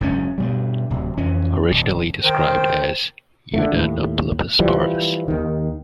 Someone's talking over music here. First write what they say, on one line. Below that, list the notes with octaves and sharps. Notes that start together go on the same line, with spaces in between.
Originally described as "Yunnanolepis parvus".
F#1 G#2 D#3 C#4
G2 B2 G3
D1 C3
F2 E3 C#4
D#1
D#3 C5 G5
D3 E3 A3
D#2 A2
E3 F3 G3
D#2 D#3